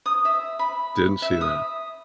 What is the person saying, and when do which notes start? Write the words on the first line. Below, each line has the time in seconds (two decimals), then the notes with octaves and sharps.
Didn't see that.
0.06 D#6
0.25 E5
0.59 B5
1.22 E5
1.41 D#6